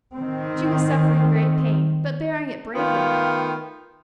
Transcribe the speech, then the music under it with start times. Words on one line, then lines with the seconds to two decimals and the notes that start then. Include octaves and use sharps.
She was suffering great pain, but bearing it bravely.
0.13 D#3 C4
2.75 D#3 A3 B3 F4 F5 G5